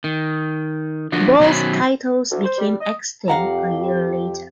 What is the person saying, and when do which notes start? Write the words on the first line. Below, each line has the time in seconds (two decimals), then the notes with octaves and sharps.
Both titles became extinct a year later.
0.04 D#3
1.12 D3 F3 D4 F#4
1.39 B2 D#3 F#3 C#4 C5 B5
2.31 D2
2.45 C5
2.58 G3
2.80 D#5
3.28 F2 G4 F5 F#5 A#5